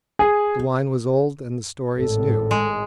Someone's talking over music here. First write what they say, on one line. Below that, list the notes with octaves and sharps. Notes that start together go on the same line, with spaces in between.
The wine was old and the stories new.
G#4
G#1 A2 A4
G#3